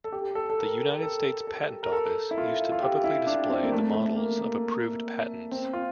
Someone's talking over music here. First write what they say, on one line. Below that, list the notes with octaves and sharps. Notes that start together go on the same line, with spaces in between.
The United States Patent Office used to publicly display the models of approved patents.
A4
G4
A4
A4
A#4
A4
A4
A#4
A4
E4
F4
F4
G4
E4
D4
C4
A#3
A3
A3
A#3
A#3
C4
F4